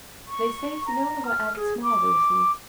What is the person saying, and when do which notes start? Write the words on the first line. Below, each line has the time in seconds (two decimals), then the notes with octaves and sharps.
They say Semenova acts marvelously.
0.28 C#6
0.86 A#5
1.26 F6
1.56 G#4
1.83 D6